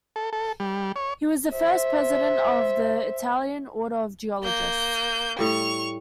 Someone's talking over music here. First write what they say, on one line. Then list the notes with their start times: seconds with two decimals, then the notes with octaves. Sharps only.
He was the first president of the Italian Order of Geologists.
0.16 A4
0.33 A4
0.60 G3
0.96 C#5
1.53 C5 E5
4.43 A#3 G6
5.39 A2 G3 C#6 F7